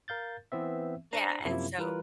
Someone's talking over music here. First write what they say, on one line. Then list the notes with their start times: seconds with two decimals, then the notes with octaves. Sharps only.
Yeah, and so
0.08 A#4 F5 G6 A6
0.52 E3 B3 C4 E5
1.13 D4 C5 A#5 C7
1.45 F#2 C3 F3 A#3 E4
1.78 E3 G3 F4 A#4 B4